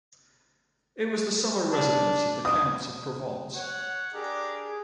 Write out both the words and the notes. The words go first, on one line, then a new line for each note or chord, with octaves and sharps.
It was the summer residence of the counts of Provence.
D4
D#6
C#5 F#5
D4 G4 G#4 A#4